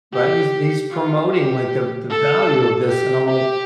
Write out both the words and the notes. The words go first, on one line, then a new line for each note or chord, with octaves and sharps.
right? He's he's promoting like the the value of this." And I'm like
G4
F4
G4
A4
G4
G4